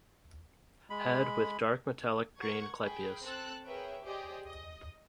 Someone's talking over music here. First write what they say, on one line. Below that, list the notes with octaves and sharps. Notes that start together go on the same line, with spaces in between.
Head with dark metallic green clypeus.
G#3 B5
A#4 F#5 C#6 G#6
G#4 G5 B5
C4 A4 E6 F#6 A6
G#4 A#4 B4 C#5 E5 G5
G4 G#4 C5 D5 D#5 G5
D#5